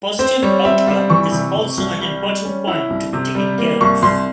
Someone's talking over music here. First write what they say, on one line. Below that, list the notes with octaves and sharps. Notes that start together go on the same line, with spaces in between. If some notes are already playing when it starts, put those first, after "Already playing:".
Positive outcome is also an important point to be taking care of.
C4 C5
G3 C#5
C4 E5
G3 F5
E3 C#6
C3
C3
C2
G3
G3
C#4
E4
C2
C3
G3
A#3
C2 C#6
C2 C6